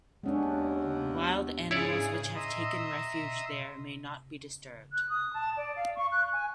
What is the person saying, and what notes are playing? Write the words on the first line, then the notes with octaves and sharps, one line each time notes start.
Wild animals which have taken refuge there may not be disturbed.
D#2 G#3 B3 C#4 D4
C#3 E4 G#4 C#5 D5
D#5 E5 A#5 C6 D#6 E6
F#6
D#6
A5
D5
F5
C#6
F#6
G#5